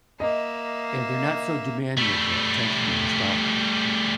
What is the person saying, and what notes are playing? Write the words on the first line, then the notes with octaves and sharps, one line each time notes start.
and they're not so demanding of, uh, attention in the spotlight.
A#3 D#5 E5
G3 A3